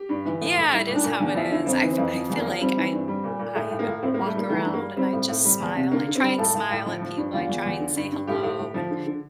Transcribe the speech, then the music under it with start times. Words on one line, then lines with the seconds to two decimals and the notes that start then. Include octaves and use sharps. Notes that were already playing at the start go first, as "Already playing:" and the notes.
Yeah. It is how it is. I f I feel like I I w walk around and I just smile. I try and smile at people. I try and say hello. And
Already playing: G4
0.09 G2
0.25 E3
0.41 A2
0.57 A2
0.72 G3 E4
0.88 A#2
0.95 D4
1.04 A#2
1.20 E2 D4
1.35 F3 E4
1.51 D3 E4
1.66 F2 C4
1.82 E3
1.90 C4
1.98 F2
2.14 F3
2.29 E2
2.37 A#3
2.46 F3
2.61 G3 C4
2.76 E3
2.92 G2
3.08 G3
3.24 A#2
3.39 A#2
3.55 A2 A3
3.71 A2
3.79 A#3
3.87 A2
4.02 A2 C4
4.14 A#3
4.19 G3
4.26 A3
4.35 G3 A#3
4.49 E3 A3
4.65 G2
4.73 A#3
4.81 G3
4.96 G3 C4
5.13 A2
5.28 A2
5.45 G3
5.60 E2
5.75 C3
5.91 D3 A#3
6.07 D3
6.15 C4
6.23 G3
6.38 A2 A4
6.54 A2
6.70 A2
6.86 F3
7.01 F3
7.17 G2
7.33 E2 F4
7.49 E2
7.65 E2
7.80 D3
7.96 G2
8.12 G2
8.27 A2 G4
8.43 A2
8.59 A2
8.74 F3
8.90 D3
9.06 D3